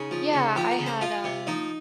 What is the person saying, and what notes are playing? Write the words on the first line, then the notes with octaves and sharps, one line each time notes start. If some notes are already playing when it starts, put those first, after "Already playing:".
Yeah, I had, um,
Already playing: C#3 D#4
F3
C#3
F3 G4
A#4
C#3
C5
F3 F4
C3
F3 D#4